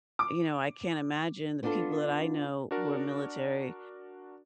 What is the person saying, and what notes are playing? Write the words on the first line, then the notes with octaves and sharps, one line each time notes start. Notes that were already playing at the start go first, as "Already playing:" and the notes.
you know, I can't imagine the people that I know who are military,
D6
B3 D4 F4 G4 A4 A5
D4 F#4 A#4 D5